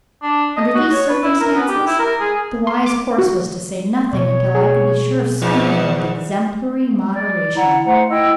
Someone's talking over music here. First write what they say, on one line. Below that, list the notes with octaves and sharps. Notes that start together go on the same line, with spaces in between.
Under these circumstances, the wise course was to say nothing, until I could be sure of speaking with exemplary moderation.
D4
D#5
F#4
C#5
B4
E4
A#4
B3
G4
E4
A#4
G#4
C6
D6
F#4
B2 F#3 C#5
G#4
E2 G#2 F3 B3
D5
E4 F#5 A#5
A3 C5 F#5 A#5
E4 D#5 G5 E6